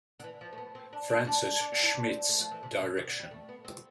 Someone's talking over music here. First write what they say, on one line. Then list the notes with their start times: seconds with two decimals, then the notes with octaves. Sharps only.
Francis Schmidt's direction.
0.19 D3
0.24 E3
0.41 F3
0.53 A3
0.58 B3
0.75 C4
0.93 D4
1.09 D4
1.27 D4
1.60 D4
1.72 C4
1.83 E4
1.94 D4
2.12 C4
2.29 A3
2.40 F3
2.51 E3
2.63 C3
2.80 B2
2.97 C3
3.08 D3
3.20 G3
3.31 A3
3.49 B3
3.65 C4